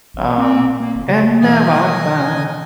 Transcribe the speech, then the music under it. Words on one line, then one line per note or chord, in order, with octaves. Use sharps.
Um, And now I find,
A1
C4
A#3
G1
C#3
B2 E3 D#5 E5 G#5 D#6